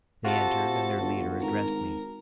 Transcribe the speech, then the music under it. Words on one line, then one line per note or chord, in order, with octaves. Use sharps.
They entered, and their leader addressed me.
C3 F4 F#4 A4 A5
G1
G#1 A#4